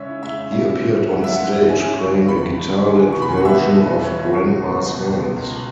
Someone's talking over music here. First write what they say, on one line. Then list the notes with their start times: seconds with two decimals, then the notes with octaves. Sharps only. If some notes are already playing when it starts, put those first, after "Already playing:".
He appeared on stage playing a guitar-led version of Grandma's Hands.
Already playing: C#3 G#3 C#4 C#5 E5
0.09 E4
0.23 G#3 E5
0.38 C#3
0.52 C#4 E5
0.67 E4
0.81 G#3
0.96 G#2
1.11 C#4 F#5
1.24 E4 E5
1.36 G#3 F#5
1.55 G#2
1.69 C#4 G#5
1.84 E4
1.99 C#3 C#6
2.14 C#2
2.28 E3 B5
2.43 C#2
2.57 C#3
2.73 C#2
2.86 E3 G#5
3.02 C#2
3.13 B2 C#6
3.22 B5
3.29 E2 G#5
3.37 F#5
3.45 B3 E5
3.60 E2
3.75 B2
3.89 E2
4.04 B3 C#5
4.18 E2 E5
4.33 B2 C#6
4.47 C#2
4.63 B3
4.77 C#2
4.92 B2
5.07 C#2
5.21 B3
5.36 C#2
5.50 B2